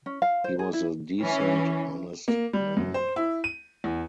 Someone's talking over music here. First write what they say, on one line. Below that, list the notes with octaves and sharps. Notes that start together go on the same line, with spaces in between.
He was a decent honest man.
C#4
F5
C5
G#4
E4
E3 C#4
A#3
G3
F#2
C5
E4
D#7
E2